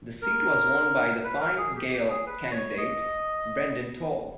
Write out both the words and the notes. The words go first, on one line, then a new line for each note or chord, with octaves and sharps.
The seat was won by the Fine Gael candidate Brendan Toal.
A#4
B4
A#4
G#4
G4
G4
G#4
B4
C#5
D#5